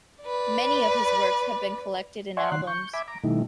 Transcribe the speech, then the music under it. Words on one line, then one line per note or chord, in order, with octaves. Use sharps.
Many of his works have been collected in albums.
B4 D5
D5 E5 F#5 G#5 C6 C#6
D#3 C6 F#6
C#6 G6
E5 G#5 B5 D6
A#5 D6
B2 D#3 G3 A3 D#4 E4